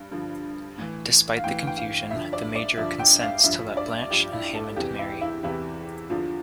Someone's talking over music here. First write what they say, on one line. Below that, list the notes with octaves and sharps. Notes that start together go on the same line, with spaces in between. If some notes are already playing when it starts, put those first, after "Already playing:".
Despite the confusion, the Major consents to let Blanche and Hammond marry.
Already playing: G2
G2 D3 F3
A2 E3
F5
A2 E3 G5
G5
F5
G2 D3 F3 E5
D5
D5
G2 D3 F3 E5
G5
F5
G2 F3 E5
D5
G2 F3 G4
E4
A4
E2 C3 E3 G4
E4
E4
E2 C3 E3 E4
E2 D3 F3 F4